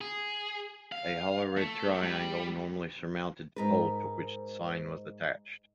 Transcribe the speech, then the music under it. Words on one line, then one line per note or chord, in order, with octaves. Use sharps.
A hollow red triangle normally surmounted the pole to which the sign was attached.
G#4
F5
A3
G3
G#2 A#4 B4